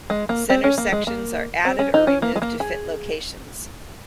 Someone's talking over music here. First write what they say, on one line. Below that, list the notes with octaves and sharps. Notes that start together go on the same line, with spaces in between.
Centre sections are added or removed to fit locations.
G#3
A#3
C4
C#4
A#3
G#3
A#3
C4
C#4
D#4
C#4
A#3
G#3
A#3
G#4